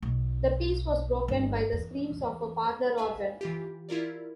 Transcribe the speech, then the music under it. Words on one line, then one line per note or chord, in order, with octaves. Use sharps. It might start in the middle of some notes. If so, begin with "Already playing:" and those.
The peace was broken by the screams of a parlor organ.
B1
G1
E2
B4 E5 F5 G#5
E3 F4 G4
E4 F4 A#4 D5